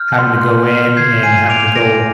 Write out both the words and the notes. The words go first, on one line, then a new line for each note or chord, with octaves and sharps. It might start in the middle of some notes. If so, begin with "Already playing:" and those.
having to go in and having to go,
Already playing: F6 G6
C6
C6
F6
G6 G#6 C7
G#5 C7 D#7
D6 D7 F7
G#5 A#6 D7